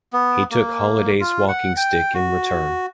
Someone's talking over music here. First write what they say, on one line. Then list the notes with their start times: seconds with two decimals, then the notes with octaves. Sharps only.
He took Holliday's walking-stick in return.
0.13 B3
0.51 A#3
1.20 F4
1.48 F#5
1.77 G5
2.14 F#4